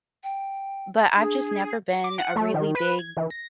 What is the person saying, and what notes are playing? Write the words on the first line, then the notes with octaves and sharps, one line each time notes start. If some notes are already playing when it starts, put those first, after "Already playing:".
But I've just never been a really big
G5
D4 G#4
D6
F#5
A3
D#3
B4
G#6
E3
A#6